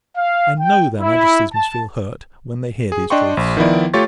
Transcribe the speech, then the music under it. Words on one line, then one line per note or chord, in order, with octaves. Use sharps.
I know, their Majesties must feel hurt, when they hear these truths.
F5
G5
E4
A5
G#4
D4 D5 D#5 G5 C6 C#6
A#1
D#3 F3 B3 E4 D5
A3 F4 G4 C#5 C#6 A6